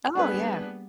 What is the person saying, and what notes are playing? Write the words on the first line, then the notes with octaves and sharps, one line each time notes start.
Oh, yeah.
G3 A#3 B3 D4 G#4 B4